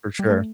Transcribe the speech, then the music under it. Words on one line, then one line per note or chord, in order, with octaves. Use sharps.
For sure.
G3
A3